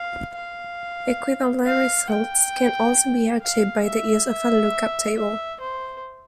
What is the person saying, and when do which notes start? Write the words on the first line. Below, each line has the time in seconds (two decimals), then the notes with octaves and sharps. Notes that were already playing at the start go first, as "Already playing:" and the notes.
Equivalent results can also be achieved by the use of a look-up table.
Already playing: F5
0.35 F5
1.66 F5
2.10 G5
3.42 F5
3.85 E5
4.29 E5
5.16 E5
5.60 C5